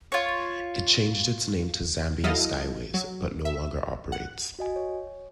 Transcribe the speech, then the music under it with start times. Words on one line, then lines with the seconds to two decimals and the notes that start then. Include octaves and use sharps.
It changed its name to Zambia Skyways, but no longer operates.
0.12 F4 C#5
2.24 F#3 E4 A4 D#5 F5
2.94 F#3
3.45 E5
4.12 F#5
4.59 F#4 D#5 G#5
4.76 C#5